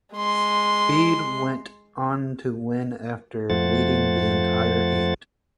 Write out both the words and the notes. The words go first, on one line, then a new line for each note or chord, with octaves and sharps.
Speed went on to win after leading the entire heat.
G#3 C6
F2 F3 A3 C5 F#5 A6